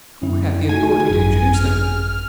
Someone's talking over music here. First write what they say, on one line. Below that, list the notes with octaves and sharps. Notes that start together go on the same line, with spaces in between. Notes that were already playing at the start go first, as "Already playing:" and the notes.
Who had the authority to introduce them?
F#2 D3 E4
A3 D#4 F#4 G#5
G#1 F#2 G#4
F6